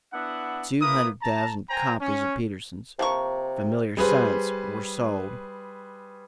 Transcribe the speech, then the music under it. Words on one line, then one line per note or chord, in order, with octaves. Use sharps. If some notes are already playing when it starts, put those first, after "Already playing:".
Two hundred thousand copies of Peterson's "Familiar Science" were sold.
B3 D4 E4 F#5
A#3 E4 A#4 B4 D#6
A5 A#5
C5 G5 G#5 A#5
C#4
C3 F3 A#3 C#6
G3 G#4 B4 C5